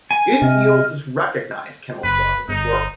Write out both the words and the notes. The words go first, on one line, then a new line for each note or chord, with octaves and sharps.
It is the oldest recognised kennel club in the world.
G#5
C3 D#5 F6
F#1 B4
G1 D#4